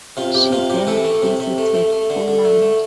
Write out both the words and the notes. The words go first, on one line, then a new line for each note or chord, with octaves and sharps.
She then visited Holland.
C3 F4
C3 G4
C3 F4
C3 G4
E3 A4
A3
C3
C3
A3
A3
A3
D3
D3
A3
A3